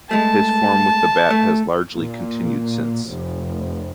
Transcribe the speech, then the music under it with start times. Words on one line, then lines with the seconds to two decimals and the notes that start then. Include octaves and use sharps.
His form with the bat has largely continued since.
0.11 G#3 A3 A5
1.30 A3
1.96 A#2
3.09 F1